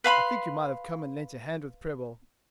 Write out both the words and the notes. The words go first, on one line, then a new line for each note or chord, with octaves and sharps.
'I think you might have come and lent a hand with Prebble.
B4 F5 B5 C6